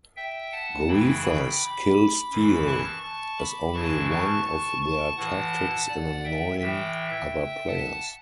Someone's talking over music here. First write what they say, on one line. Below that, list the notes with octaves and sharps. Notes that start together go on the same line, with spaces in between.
Griefers kill steal as only one of their tactics in annoying other players.
E5 G5
F#5 A5
F#2 C#3 E3 G5 B5
G5 B5
B5 D6
F#2 E3
A5 C#6
A5 C#6
B5 D6
F#2 C#3 E3 A5 C#6
A5 C#6
A5 C#6
A5 C#6
A2 E3 F#5 A5
D5 F#5
E5 G5
A2 E3 E5 G5
F#5 A5